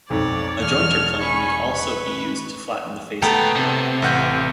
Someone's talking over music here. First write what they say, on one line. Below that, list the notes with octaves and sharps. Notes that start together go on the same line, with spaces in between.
A jointer plane may also be used to flatten the face of a board.
B1 F2 G#2 C#5 D5
E1 F6
G#5 B5 C#6
B4 C#6
B2 A3 B3 G5 A5 A#5
C3
A1 F#5 G6